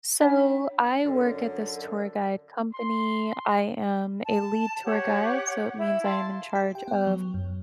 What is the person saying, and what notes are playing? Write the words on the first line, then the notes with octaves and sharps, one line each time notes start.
So, I work at this tour guide company. I am a lead tour guide, so it means I am in charge of
D4 C#5 G5
F#2 D3
C6
A5
G4 C#5 F#5
F#5
E4 G#6
F5 A5 C6
G4
G5
B3
F#3
F#2